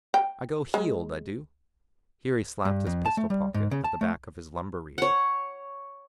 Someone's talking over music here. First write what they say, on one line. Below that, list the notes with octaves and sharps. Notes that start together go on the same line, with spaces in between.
I go heeled, I du!' Here he slapped his pistol pocket at the back of his lumbar region.
G5
G#3
G2
F2
A5
A3
G3
G#2
C#3
A5
A3
C#5 F#5